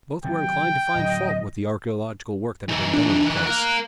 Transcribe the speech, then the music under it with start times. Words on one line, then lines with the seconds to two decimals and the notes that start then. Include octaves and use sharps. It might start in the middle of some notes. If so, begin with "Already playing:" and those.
Both were inclined to find fault with the archaeological work that had been done on the place.
0.24 C3 D#3 F#3 G5
0.95 D1 F#3 D#5
2.69 E3 D#4
2.93 D4
3.27 F#6
3.46 A#4 F5 F#6